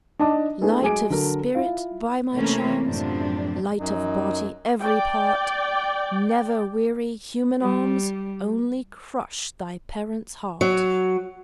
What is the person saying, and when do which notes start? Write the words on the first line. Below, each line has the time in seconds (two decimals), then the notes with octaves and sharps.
"Light of spirit, by my charms, Light of body, every part, Never weary human arms-- Only crush thy parents' heart!"
0.19 D4 D#4 D#5 A5 D6
0.61 A3 B3 D4 E4 G#4
0.82 F#3 G#3 G#4 G#5 D6 D7
1.10 D3 F#3 A4 A#4
1.55 E4 F4 F5
2.33 C3 E3 A3 A#3 C#4
2.84 F#2 A2 C3 F3 D4
3.79 F#2 D#4
4.80 D5 G5
7.62 G3
10.61 F#3